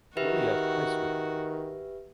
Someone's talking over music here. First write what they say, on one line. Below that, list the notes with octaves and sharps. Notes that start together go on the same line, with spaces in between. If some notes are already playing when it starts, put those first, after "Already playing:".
Juliet High school.
D#3 F#4 G4 B4 E5